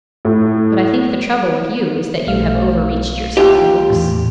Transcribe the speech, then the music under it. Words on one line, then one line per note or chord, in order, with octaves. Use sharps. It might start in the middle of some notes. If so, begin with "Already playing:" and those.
But I think the trouble with you is that you have overreached yourself, Noakes.'
A2
B1 A3 F5
D#2 F4 G4
E2 A2